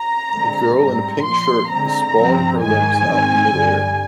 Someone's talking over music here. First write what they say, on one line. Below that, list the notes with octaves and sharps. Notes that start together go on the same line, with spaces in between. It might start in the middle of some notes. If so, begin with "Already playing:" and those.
A girl in a pink shirt is sprawling her limbs out in midair.
Already playing: A#5
D3 G#3 C4
G#2 G3 C4 A#5
A#2 F3 A#3 C6
D3 G#3 C4 A#5
G2 F3 C4
G#2 D#3 G#3 G#5
G#2 D#3 G#3 C4
G2 D3 G3